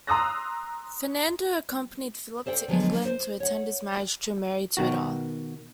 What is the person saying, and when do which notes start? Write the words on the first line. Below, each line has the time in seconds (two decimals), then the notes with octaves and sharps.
Fernando accompanied Philip to England to attend his marriage to Mary Tudor.
0.07 A#5 C6 D#6 E6 F#6 A#6
2.46 A4 C5 D5 F#5 G5
2.68 D3 F3 F#3 G#3 B3
3.05 C5
3.40 C#5 F#5
4.77 B2 D#3 F#4